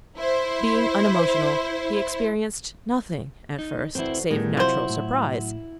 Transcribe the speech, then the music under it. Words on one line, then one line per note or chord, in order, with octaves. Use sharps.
Being unemotional, he experienced nothing at first, save natural surprise.
E4 C5
D#4
D2 C4 E4 B4 C5
A2 G3 B3 D#4 E4 G#4 A#4
C3 F#3 E4 F4 C5
A2